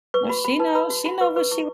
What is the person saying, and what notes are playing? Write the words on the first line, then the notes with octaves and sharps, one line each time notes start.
Well, she know she know what she
B4 C#6
F#4 B5
F#4 B5
B4 A5
B4 B5
F#4
F#4 B5
B4 C#6
B4 C#6
E4 C#6